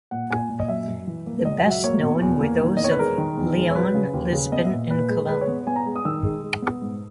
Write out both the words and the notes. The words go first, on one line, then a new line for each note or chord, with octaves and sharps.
The best known were those of Lyon, Lisbon and Cologne.
A#2 F#5
A#2 G#5
A#2
D#5
F#2 E5
F#2
E3
A#3
C#2 D#5
F#5
F#3
E5
A#3 C#5
B2
E2
A#3
D#3
D#5
E2 C#5
B4
G#3 A#4
D#3
E2
G#3
C#5
F#3 B4
C#3
D#2
C#3
B3 D#5
E5
A#2
A#2 B4
G#3
G#3 B4
C#5
B3
B3 G#5
A#5
G#3
D#6
D#3 E6
G#3
G#3
B3
G#2